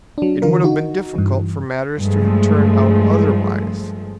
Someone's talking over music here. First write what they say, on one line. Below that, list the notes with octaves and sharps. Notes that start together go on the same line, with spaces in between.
It would have been difficult for matters to have turned out otherwise.
F#3 D4
D3 E3 F4 A#4
D#4 F#4
G2 E3
G2 F3 G#3 A3